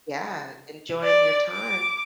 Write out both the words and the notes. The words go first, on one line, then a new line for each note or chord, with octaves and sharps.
Yeah, enjoying your time
D5
D6